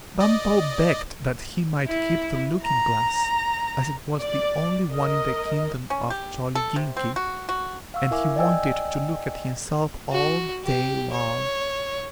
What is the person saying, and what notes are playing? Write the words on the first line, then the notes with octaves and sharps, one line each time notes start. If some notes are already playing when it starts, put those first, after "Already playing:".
Bumpo begged that he might keep the looking-glass, as it was the only one in the Kingdom of Jolliginki, and he wanted to look at himself all day long.
D5 D#5
E4
A#5
D5
A#4 D#5
C#4
G4
A4
C3
C4
F#4
F#4
F5 F#5 C#6 E6
E4 A#4 E5 G#5 D6
D5 D#5 G5 G#5 E6
F#4
G4
C#5